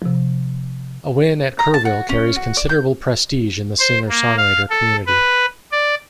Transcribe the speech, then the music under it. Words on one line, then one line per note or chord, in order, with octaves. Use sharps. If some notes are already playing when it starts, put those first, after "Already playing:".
A win at Kerrville carries considerable prestige in the singer-songwriter community.
C3 F3
A#5
A5
F#4
C#4
F#4
D5
G6
C5
A#3
F5
A4
B4
D5